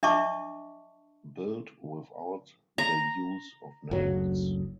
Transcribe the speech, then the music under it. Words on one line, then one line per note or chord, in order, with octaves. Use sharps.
Built without the use of nails.
D4 D#5 E5 A5 C#6 D6
A#5
F#1 D2 F#3